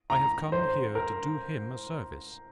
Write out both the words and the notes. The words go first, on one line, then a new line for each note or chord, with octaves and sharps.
I have come here to do him a service.
A#5
C5
A#4